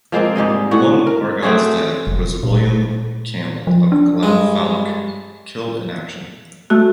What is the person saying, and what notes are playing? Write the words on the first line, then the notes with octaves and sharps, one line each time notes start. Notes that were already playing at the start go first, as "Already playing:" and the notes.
Among Argyll's dead was William Campbell of Glenfalloch killed in action.
F3 G#3 A#3 C4
G#2 G3 G#3 D#5
A2 F#4 F#5
A#4
A3 C4 F#4 G#4
F1
A#2
F3
D4
G2 G#3 D#6
A3 F#4